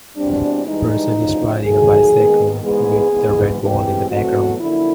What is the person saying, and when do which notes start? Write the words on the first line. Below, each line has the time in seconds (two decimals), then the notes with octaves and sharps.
A person is riding a bicycle with a red wall in the background.
0.16 E2 B2 G3 C4 D4
0.65 G2 E3 G#3 D#4
1.14 D2 C#3 F3
1.63 D#2 D#3 F#3 A3 G#4
2.13 D#2 D#3 G#3 B3
2.62 G#2 E3 G#3 B3 G#4
3.11 G#2 E3 G#3 B3
3.61 A2 E3 G#3 C4 G4
4.10 E2 B2 F#3 A3 C4 F#4
4.59 F#2 D3 F3 A#3 E4